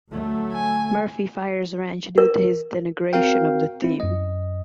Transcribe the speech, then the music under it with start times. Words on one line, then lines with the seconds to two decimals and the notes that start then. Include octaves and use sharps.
Murphy fires Ranch due to his denigration of the team.
0.10 D2 F#3 A3
0.53 G#5
2.18 A#4
3.13 C4 F#4 A#4 F5 G5
3.82 C4 E4
4.00 F#2 D#5